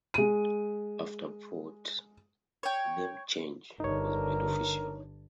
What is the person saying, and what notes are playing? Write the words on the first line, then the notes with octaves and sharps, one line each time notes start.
After a vote the name change was made official.
G#3 D#7
C#5 G5
G1 D3 D#4 A#4 C#5